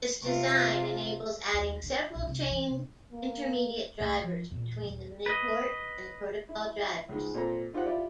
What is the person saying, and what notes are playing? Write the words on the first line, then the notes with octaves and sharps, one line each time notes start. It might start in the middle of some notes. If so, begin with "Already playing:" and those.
This design enables adding several chained intermediate drivers between the miniport and protocol drivers.
C3 F4
D#2
D3
A#1
C2
E3
C3
A#3
C2 G#2 A3
F3
E2 A#2
D#1
B4 D#5
E4
C#2 G#2
A#2 C4 A4 A#5
D#4 F4 G4 C5 F#5
E4 F4 G4 D5